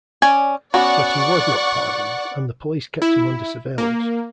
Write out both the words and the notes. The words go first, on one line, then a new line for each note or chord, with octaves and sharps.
But he was not pardoned, and the police kept him under surveillance.
C#4 D5 G#5
B3 C#4 F#4 D5 F#5 C#6
E4
A#3